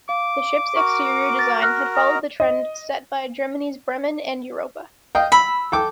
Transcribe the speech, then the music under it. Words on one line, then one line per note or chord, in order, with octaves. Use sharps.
The ship's exterior design had followed the trend set by Germany's Bremen and Europa.
F5 D6
F#4 A#4 C#6
A6 A#6
F6 F#6 A#6
D#5 A#5 D#6 F6
D#5
D#5 F5 G5
B5 E6
A4 G5 D6